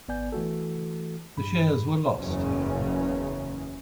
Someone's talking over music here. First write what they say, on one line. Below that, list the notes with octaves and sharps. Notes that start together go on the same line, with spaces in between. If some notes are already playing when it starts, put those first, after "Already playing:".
The shares were lost, however.
G#1 B3 D5 G#5 G6
E3 A3 F#4 A4
G2 B5
F#1 E2 C#3 C#4